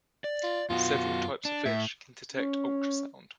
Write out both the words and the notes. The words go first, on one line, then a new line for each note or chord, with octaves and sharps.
Several types of fish can detect ultrasound.
D5
F4
F#2 B3 F4 F#4
D4
A2 E5
C#4